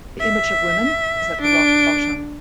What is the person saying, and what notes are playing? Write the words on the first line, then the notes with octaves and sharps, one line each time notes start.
The image of women is at rock bottom.
E5
D4 D7